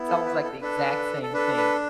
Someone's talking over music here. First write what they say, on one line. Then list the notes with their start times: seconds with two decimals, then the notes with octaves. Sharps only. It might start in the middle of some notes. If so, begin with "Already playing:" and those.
it's almost like the exact same thing,
Already playing: B3 E4
0.08 A4
0.26 B4
0.44 A4
0.61 D4 A4 B4
1.22 A4
1.33 D4 A4 B4
1.57 B4